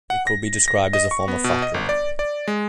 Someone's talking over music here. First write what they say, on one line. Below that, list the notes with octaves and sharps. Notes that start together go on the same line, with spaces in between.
It could be described as a form of factoring.
F#5
A#6
A#6
D#5
C#6
B3
B2
D#5
G1
D5
D5
G#3